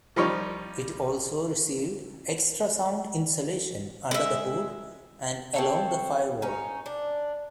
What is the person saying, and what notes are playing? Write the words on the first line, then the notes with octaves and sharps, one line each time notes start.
It also received extra sound insulation under the hood and along the firewall.
F3 G3 D#4 C#5
G#3 E5
C4 A4 C#5
C#4 D#4
D4